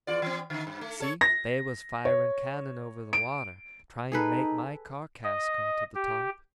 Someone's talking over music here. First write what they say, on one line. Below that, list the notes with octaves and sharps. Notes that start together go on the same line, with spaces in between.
You see, they was firing cannon over the water, trying to make my carcass come to the top.
E2 F4 D5
E3 C4
D3 D#4
G2
A3
A4 C#5
A#6
C#5
D7
D#4 G#4 A4 B4
D#5
G4